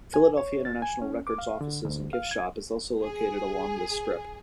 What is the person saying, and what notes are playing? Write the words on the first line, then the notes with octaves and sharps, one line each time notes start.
Philadelphia International Records' offices and gift shop is also located along this strip.
G#5
C#5
A6
G#5
C#4
D6
F5
D3
D2
F5
G#6
G#4